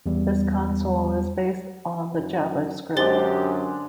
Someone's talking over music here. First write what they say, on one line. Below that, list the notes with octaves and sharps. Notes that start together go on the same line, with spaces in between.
This console is based on the JavaScript.
E2 G3
F#2
F#2 D3 G#3 D4 G4 C5 A6 G7